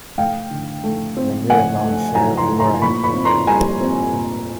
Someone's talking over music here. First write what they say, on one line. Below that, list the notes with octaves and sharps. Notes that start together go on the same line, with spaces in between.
They lived on Sherrif Brae.
A3 F5 G5
D3
A3
C4
A3 F#5 G#5
A3
F#3 G#5 A#5
A#5 C6
A3
A#5 C6
A#2 B5 C#6
B5 C#6
C4
A#5 C6
G3 G#5 A#5
C4
A#2